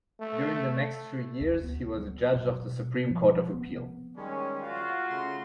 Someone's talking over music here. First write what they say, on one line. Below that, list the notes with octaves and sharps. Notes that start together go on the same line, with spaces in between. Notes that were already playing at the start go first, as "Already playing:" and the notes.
During the-next few years he was judge of the supreme court of appeal.
A3
D2
B3
F#3
B2
F3
B3
D#3 G3 G#3 C#4
F4 F#4 F5
C#3 A3 C6